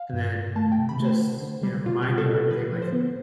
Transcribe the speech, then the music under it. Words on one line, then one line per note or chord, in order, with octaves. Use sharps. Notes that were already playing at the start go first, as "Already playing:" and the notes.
and then just, you know, remind you of everything. Like,
Already playing: F5
G2
G2
A3 A5
G5
C3
B5
A3 C5
D3
D3
G3
B2 F4
G4
B2
A4
B2
B4
D3 B4
F3 B4
C5
B3